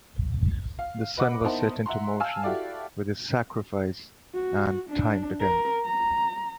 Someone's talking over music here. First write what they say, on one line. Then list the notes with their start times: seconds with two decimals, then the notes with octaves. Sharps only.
The sun was set into motion with his sacrifice and time began.
0.79 F5
1.17 B4 D#5 F#5 D6
1.44 B3 D#4 E4 A#4 C5 A5
1.86 E5 F#5 A#5 C6
2.20 F5 G#5 A5 E6 F6
2.43 E4 F#4 G4 A4 D5 F5
4.34 F#4
4.90 D4
5.40 A#4
5.85 A#5